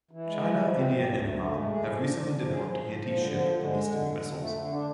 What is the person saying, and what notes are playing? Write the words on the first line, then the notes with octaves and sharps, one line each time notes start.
China, India and Iran have recently developed anti-ship ballistic missiles.
E3
G#3
E3
F3
C4
G#2
D2
A3
A3
G#3
G#4
F3
D4
D4
F3
G#4
F3
F3
F3
D3
F3
D3
G#3
D3
F2
D3
F2
A3
D3
D4